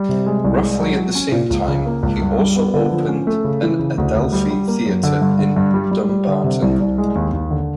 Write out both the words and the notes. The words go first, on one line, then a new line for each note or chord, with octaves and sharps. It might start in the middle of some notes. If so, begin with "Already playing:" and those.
Roughly at the same time he also opened an Adelphi Theatre in Dumbarton.
Already playing: G3
C3
G#3
C2
G#3
F#3
F#3
C#4
A#2
C#2
C#3
A#3
C#2
G2
G3
B3
D3
F3
C#4
A3
C#3
E3
C#3
D2
D2
G3
G3
A#3
F#2
D3
G2
D3
G2
G3
G3
G3
D3
C3
C2
C2
G#3
D#2
D#2
D3